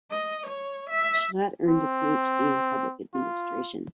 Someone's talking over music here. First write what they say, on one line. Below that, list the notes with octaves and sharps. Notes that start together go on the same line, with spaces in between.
Shelat earned a PhD in public administration.
D#5
C#5
E5
C4
F4